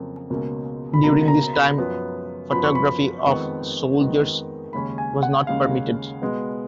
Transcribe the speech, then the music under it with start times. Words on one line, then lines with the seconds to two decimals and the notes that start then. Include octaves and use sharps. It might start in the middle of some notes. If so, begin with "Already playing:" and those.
During this time, photography of soldiers was not permitted.
Already playing: F2 C#3 F#3 A#3
0.30 C#2 B2 A#3 C#4
0.94 B5
1.03 C#2 B2 A#3 C#4 A#5
1.28 A#5
1.54 B5
1.78 F#2 F3 B3
2.51 F#2 F3 B3 B5
2.64 C#6
2.75 B5
3.25 F2 D#3 G#3 B3 C#6
3.99 F2 D#3 G#3 B3
4.73 D#2 C#3 G#3 C#4 B5
4.98 G#5
5.23 F#5
5.47 D#2 C#3 G#3 C#4 F5
6.22 B2 G#3 B3